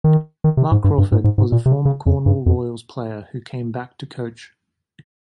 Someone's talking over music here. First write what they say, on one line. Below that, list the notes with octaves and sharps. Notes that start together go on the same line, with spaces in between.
Marc Crawford was a former Cornwall Royals player who came back to coach.
D#3
D#3
C3
G#2
G2
G2
G#2
G#2
G#2
A#2
C3
C#3
F2
G2
F2